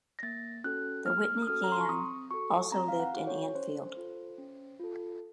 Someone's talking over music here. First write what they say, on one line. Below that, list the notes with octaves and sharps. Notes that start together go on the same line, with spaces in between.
The Whitney gang also lived in Anfield.
A#6
A#3 A6
C#4 F#4 A4 F#6
A#3 F6
D#6
C#4 F#4 A4 F6
A#5
C6
C#6
C4 D#6
F#4 A4 C#6
C4 A#5
F5
F#5
F#4 A4
C#5
C#4 C5
F4 A4
C#4
F4 A4